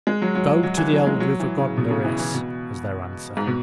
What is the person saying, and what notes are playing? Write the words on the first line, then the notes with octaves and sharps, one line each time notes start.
"Go to the old river god Nereus," was their answer.
G#3
F#3
F#3
F#3
E3
F#3
G#3
F#3
E3
C#3
B2
C#3
E3
E3
B2
G#2
B2